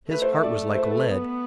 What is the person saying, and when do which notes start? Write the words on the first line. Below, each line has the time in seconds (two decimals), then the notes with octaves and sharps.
His heart was like lead.
0.11 A3 B4
0.22 C5
0.33 E5
0.43 D5
0.75 C5
0.84 B4
0.91 A4
0.99 B4
1.07 B3